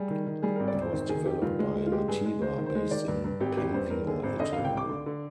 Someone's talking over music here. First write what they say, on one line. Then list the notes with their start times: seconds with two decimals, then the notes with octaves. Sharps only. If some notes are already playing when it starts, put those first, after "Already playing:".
It was developed by Mateba, based in Pavia, Italy.
Already playing: G3 G#4
0.10 D#3
0.27 D#3
0.42 G3 G#4
0.56 G#1 A#4
0.68 D5
0.76 G#1 C5
0.92 D#3 C5
1.09 D#3 G#4
1.26 D#3 G4
1.42 G2 F4
1.59 G#3
1.75 G#3
1.86 F4
1.92 G#3 G4
2.08 G2 G#4
2.25 G#3
2.41 G#3 C5
2.58 D#3
2.66 C5
2.75 G#3
2.91 D#3 D5
3.08 G2
3.24 G2
3.40 G#1 G4
3.57 G#1 G4
3.74 G2 C5
3.90 G2 A#4
4.07 D3 G#4
4.23 G#1 C5
4.40 D3 D#5
4.52 G#1 F5
4.65 G5
4.73 G#1 D6
4.89 D3
5.06 D3